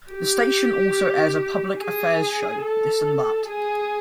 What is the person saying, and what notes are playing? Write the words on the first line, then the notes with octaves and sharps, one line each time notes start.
The station also airs a public affairs show, "This-N-That".
G4
G#4
A4
G#4